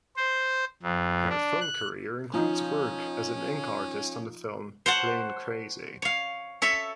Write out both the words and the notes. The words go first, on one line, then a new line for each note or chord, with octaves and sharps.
Her film career includes work as an ink artist on the film "Plane Crazy".
C5
F2
D4
F#6
F3 C#4 D#4
C5 C#5 F#5 A5
C#5 F5
A4 C#5 E5